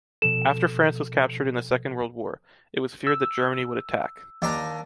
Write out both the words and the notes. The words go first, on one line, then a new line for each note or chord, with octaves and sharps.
After France was captured in the Second World War, it was feared that Germany would attack.
B2 F3 A4 E7
E6
D#2 D4 A#5